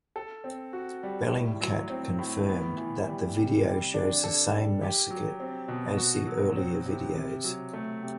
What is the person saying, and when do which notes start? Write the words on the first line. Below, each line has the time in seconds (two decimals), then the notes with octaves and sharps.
Bellingcat confirmed that the video shows the same massacre as the earlier videos.
0.16 A4
0.44 C4
0.73 F#4
1.03 G3
1.32 A2
1.61 F#3
1.90 C4
2.19 A2
2.49 B3
2.77 E3
3.07 G3
3.36 C3
3.66 G3
3.94 D4
4.24 A4
4.53 G3
4.82 G4
5.10 F#3
5.40 C4
5.68 B2
5.98 F#4
6.27 F#3
6.57 C4
6.86 C3
7.15 C3
7.44 F#3
7.73 A3
8.02 C3